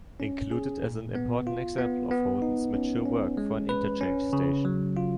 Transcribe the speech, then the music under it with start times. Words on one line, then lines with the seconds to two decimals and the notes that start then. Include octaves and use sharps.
Included as an important example of Holden's mature work for an interchange station.
0.20 C#4
0.51 G#4
0.83 A#2
1.15 B3
1.47 F4
1.78 B3
2.11 B3
2.42 D#4
2.74 C#4
3.06 C#4
3.37 G#3
3.69 B4
4.01 C#4
4.33 C#3
4.65 F#3
4.97 F4